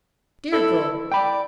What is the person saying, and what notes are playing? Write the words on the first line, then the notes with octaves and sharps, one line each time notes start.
Dear girl!
E4 A4
D5 G5 B5